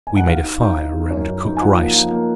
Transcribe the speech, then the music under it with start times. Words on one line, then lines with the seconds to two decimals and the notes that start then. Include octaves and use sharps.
We made a fire and cooked rice.
0.07 G#5
0.16 F#5
0.26 D#4 F5
0.44 D#4
0.60 D#4
0.77 D#4
0.94 D#4
1.11 F#2
1.27 D#4
1.45 D#4
1.57 G#5
1.61 F3 F#5
1.77 A#3
1.94 F3
2.11 A#3